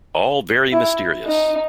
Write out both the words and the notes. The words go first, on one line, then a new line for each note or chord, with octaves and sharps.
All very mysterious!
E4
D#4